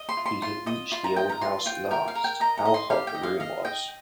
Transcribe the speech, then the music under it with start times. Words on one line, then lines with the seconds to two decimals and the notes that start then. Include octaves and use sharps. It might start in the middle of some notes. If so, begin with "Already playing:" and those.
He had reached the old house at last — how hot the room was.
Already playing: D#5
0.09 C6
0.17 F4
0.26 C6
0.42 F4 C6
0.66 D#5 D#6
0.92 F4 C6
1.04 A#5
1.16 D#5 G5
1.29 A#5
1.41 F4 C6
1.66 F4 G5
1.91 A#4 G5
2.08 F5
2.15 A#4
2.24 G5
2.40 D#5 A#5
2.58 A#5
2.65 D#5
2.74 C6
2.90 G4 F5
3.07 G5
3.15 D#5
3.23 F5
3.40 D#5 F5
3.65 D#5 G5